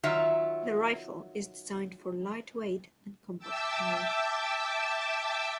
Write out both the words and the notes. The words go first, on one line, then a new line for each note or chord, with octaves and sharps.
The rifle is designed for light weight and compact carry.
D#3 F#3 F4 E5
E5 G5 A5 D6 E6